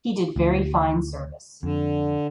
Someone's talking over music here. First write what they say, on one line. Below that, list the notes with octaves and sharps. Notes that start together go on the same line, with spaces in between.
He did very fine service.
D2
F2 D3